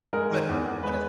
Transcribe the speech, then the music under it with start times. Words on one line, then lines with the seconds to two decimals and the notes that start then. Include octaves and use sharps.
but, oh, what is
0.13 G#3 A#4
0.30 D#3
0.49 E2
0.66 E2
0.83 G#3 B4